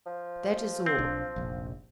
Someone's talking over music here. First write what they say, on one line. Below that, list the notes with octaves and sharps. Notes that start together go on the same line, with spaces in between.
That is all.
F3
C4
B1 D4
F1 A#1